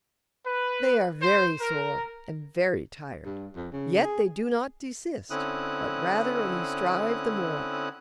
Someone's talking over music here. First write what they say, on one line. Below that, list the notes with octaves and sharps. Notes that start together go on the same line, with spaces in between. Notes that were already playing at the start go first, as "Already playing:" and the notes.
They are very sore and very tired; yet they do not desist, but rather only strive the more.
B4
C5
A#4
G2
F2
C#3
G#4
D3 C4 C#4 E4 D#6 F#6